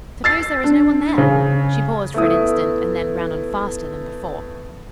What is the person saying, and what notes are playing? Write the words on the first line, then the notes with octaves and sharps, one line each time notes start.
"Suppose there is no one there?" She paused for an instant and then ran on faster than before.
E6 A6 C7
D4
C#3
A3 B3 E4 D#6